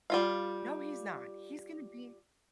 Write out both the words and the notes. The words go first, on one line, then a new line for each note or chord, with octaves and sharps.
"No, he's not. He's gonna be"
G3 F4 F5